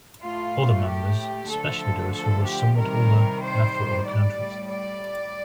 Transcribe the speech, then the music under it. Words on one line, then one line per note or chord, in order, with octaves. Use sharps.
Other members, especially those who were somewhat older, left for other countries.
A2 A3 F4
G4
D3 F3 A3 A4
A4
G4
C3 D#3 G3 A#4
C5
A2 G3 D5
D5